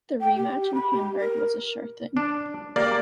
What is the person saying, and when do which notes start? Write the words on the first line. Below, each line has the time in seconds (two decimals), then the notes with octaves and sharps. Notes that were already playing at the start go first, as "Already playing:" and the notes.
The rematch in Hamburg was a sure thing.
0.21 G5
0.36 G4
0.62 G4
0.75 B5
0.91 G4
1.20 A#4
2.17 D4
2.76 A#3 G4 D5